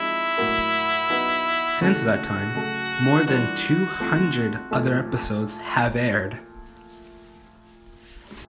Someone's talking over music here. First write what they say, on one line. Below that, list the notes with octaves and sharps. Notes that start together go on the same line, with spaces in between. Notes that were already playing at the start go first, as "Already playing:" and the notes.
Since that time more than two hundred other episodes have aired.
Already playing: F3 G#3 C4 D#4 E4
A2 F#3 A#3
F#3 B3 D#4
C#3 E3 A3 C#4 F#4
C#3 F#3 A3
E3 G3 A#3 D4 F4 F#4
E3 A3 C4 F4
A#2 F3 A3